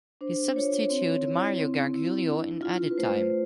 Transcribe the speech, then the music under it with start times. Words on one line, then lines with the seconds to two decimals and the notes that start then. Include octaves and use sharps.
He substituted Mario Gargiulo in added time.
0.21 D4 C5
0.56 F4 C#5
0.90 C4
1.25 E4
1.59 C4
1.93 E4
2.28 D4
2.62 F4
2.91 B4
2.98 A3 C5